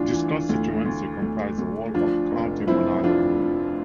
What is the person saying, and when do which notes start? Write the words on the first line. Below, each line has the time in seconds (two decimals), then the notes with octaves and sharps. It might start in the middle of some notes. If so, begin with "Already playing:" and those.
This constituency comprised the whole of County Monaghan.
Already playing: D2 E3 D4 F4
0.13 E3
0.49 D2
0.85 D2
1.22 D2
1.58 D2
1.94 F3 D4 F4
2.31 F1
2.67 F3 C4 E4
3.03 F2 D4 F4
3.40 F3